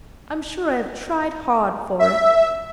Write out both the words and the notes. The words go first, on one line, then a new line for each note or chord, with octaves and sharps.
I'm sure I have tried hard for it.'
E5